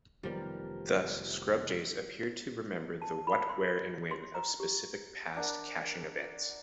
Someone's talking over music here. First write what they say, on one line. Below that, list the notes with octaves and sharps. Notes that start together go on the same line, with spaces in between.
Thus, scrub-jays appear to remember the "what-where-and-when" of specific past caching events.
F1 D#3 F3 G3 B3 A#4
A5
B5
C6
C6
A#5
G4
D4 A#4 F#5